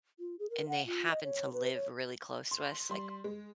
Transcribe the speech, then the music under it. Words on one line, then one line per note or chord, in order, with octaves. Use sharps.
and they happen to live really close to us, like
F4
G#4
A#4
F#5
F4
D#5
C#5
B4
C#5
C6
G3 C6
G#3